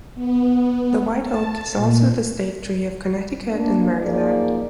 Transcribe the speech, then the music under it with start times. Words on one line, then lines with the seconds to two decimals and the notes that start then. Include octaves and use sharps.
The white oak is also the state tree of Connecticut and Maryland.
0.15 B3
1.24 A5
1.74 A#2
3.53 A#3 D4
4.02 F#2 F3 A#3 D#4 G#4 D5